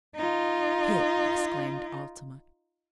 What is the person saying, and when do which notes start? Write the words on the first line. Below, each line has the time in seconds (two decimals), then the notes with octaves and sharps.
"Hit!" exclaimed Altamont.
0.16 D#4 F4